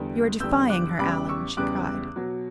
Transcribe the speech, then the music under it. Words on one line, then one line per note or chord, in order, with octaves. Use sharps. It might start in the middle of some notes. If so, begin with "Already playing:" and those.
"You are defying her, Allan!" she cried.
Already playing: E2 D3 G3
E2 D3 G3 E6 G6
D6 F#6
E2 C#3 G3 B5 D6
C#6 E6
E2 C#3 G3 D6 F#6
B2 F#3